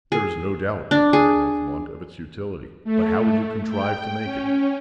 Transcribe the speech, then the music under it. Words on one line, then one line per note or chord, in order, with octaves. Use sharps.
"There is no doubt," replied Altamont, "of its utility; but how would you contrive to make it?"
G#4
D4
G#4
A3
G5
C#4